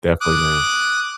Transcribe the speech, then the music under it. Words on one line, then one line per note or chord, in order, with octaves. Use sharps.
Definitely, man.
D6 D#6 F#6